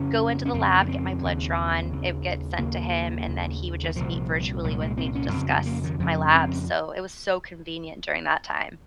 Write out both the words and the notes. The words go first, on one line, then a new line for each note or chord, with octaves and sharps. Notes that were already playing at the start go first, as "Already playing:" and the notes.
go into the lab, get my blood drawn, it would get sent to him, and then he would just meet virtually with me to discuss my labs, so it was so convenient during that time.
Already playing: F2 C#3 C#4
C#4
F2 C#3 C4
A#3
C4
D#2 C#3
D#2 C#3
D#2 C#3 A#3
D#2 C#3
D#3
C2 A#2 F3
C2 A#2 F#3
G#3
C4
C#4
F2 C#3 C4
C4
G#3
A#3
D#3
F2 C#3 F3
C4